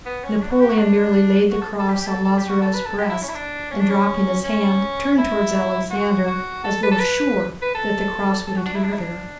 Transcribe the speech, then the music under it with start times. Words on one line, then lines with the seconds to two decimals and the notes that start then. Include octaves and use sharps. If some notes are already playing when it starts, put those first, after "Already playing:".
Napoleon merely laid the cross on Lazarev's breast and, dropping his hand, turned toward Alexander as though sure that the cross would adhere there.
0.05 B3
0.23 C#4
0.41 D4
0.50 F#4
0.60 G4
0.69 F#4
0.78 D4
1.51 F#4
1.61 A4
1.79 A4
1.88 G4
2.01 G4
2.06 A4
2.24 A4
2.37 G4
2.49 F#4
2.62 A4
2.74 B4
2.85 A4
2.98 G4
3.09 E4
3.22 C#4
3.28 E4
3.35 D4
3.71 C#4
3.80 D4
3.89 C#4
4.44 C#4
5.18 E4
5.90 F#4
6.27 F#4
6.64 A4
6.83 B4
6.91 A4
6.99 B4
7.62 B4
7.74 A4
8.46 A4
8.57 F#4
8.65 D4
8.75 E4
8.83 D4
8.92 E4
8.98 D4